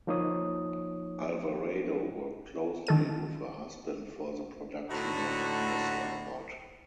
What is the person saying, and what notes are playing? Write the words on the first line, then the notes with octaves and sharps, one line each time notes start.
Alvarado worked closely with her husband for the production of this record.
F3 A#3 D#4 C#5 D#6
D#3 A4 D#7
A2 D3 D#4 F#4